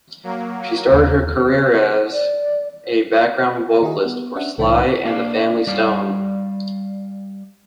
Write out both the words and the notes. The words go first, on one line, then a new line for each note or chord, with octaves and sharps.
She started her career as a background vocalist for Sly and The Family Stone.
F#3 A#3
D#2
D5
D#3 E4 F#4 G#4 D#5
B3
C#4 D4 E5 F#5
C2 A2 E3 D#4 C5 A5
A#3 D4 F5
G3 D5 F5